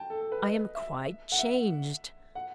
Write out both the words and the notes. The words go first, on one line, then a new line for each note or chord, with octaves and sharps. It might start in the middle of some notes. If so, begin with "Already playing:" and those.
I am quite changed.
Already playing: G5 A5
A4
A4
B4
D#5
E5
F#5
E5
F#5